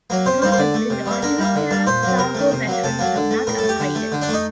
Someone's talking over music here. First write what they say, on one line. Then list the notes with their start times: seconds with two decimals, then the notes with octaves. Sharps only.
Notably, the original pair of Sargo batteries was not upgraded.
0.10 F#3 A#3
0.26 C3 C5
0.42 G3 A#3 C5
0.52 C5
0.58 D3 D5
0.74 A3
0.90 C3
1.06 G3
1.11 A#3
1.22 D3 A#4
1.39 G3 A#3
1.55 D3
1.71 G3 A#3
1.87 A#2 C5
2.03 F#3 A#3
2.19 C3 A#4
2.35 D#3 A3
2.52 C3
2.67 F#3 A#3
2.84 C3 A4
2.99 F#3 A#3
3.16 D3
3.31 A3
3.47 A2 A#4
3.58 A4
3.64 A3
3.69 G4
3.80 D3
3.95 A3
4.12 D3
4.22 D4
4.29 A3 D#4